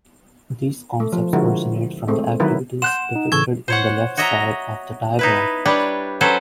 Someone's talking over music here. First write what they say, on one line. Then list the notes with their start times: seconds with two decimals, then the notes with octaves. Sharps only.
These concepts originate from the activities depicted in the left side of the diagram.
1.00 A3
1.12 F3
1.33 D3 F3 G#3 E4 F#4 A#4
2.08 G#3 A3 C4
2.40 D#3 F#3 E4 A#4 B4
2.82 F#5 C6 F#6 G6 E7
3.16 D#4
3.32 A2 C#3 E3 A4 C#6 G#6
3.68 C5 C#5 F#5
4.17 F#4 C#5 D#5 E5 A#5
5.19 D#4 E4 B4
5.65 G3 D4 B4 C#5
6.21 F#3 C#4 A4 B4 C5